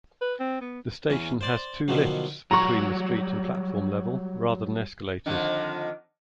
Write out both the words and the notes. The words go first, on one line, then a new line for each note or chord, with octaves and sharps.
The station has two lifts between the street and platform level, rather than escalators.
B4
C4
B3
E2 E3 C#4
C5 D5 C6
B2 D3 D#3 F3 F#3
F#3 G3 F#4 A#5 C#6
F2 D3 D#3